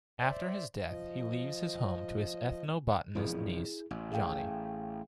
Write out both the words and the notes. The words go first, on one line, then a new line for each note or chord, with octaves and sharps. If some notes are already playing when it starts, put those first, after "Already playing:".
After his death, he leaves his home to his ethnobotanist niece, Jonni.
C5 D5 E5
F3 D#5
E1 F2 F3 E4 G#4
A1
G#4 F5 G5